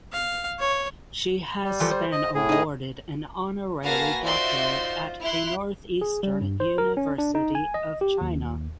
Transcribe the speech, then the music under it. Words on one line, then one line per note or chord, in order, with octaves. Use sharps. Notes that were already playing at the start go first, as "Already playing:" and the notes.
She has been awarded an honorary doctorate at The Northeastern University of China.
F5
C#5
G3
E3 F3 A4
C5
D#5
A2 G#4
D#4 D#5
A#3 F#4 B4 F5 G#5 A5 A#6
D#4 F4 F#4 C5 D5 E5 C6
E4 C6 F#6 F7
G#4
G3
G2
C5
A#4
C#4
D4
D#4
G#5
D#5
G4
D#2